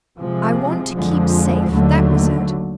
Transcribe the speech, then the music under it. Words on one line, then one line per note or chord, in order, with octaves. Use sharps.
'I want to keep safe.' That was it.
C3 F3 G#3
F2 D3 F3 G#3
D#2 D3 F#3 A3